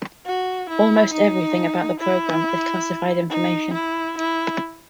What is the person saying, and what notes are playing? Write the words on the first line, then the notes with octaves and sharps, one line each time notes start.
Almost everything about the program is classified information.
F#4
E4
D#4
E4
D#4
E4
E4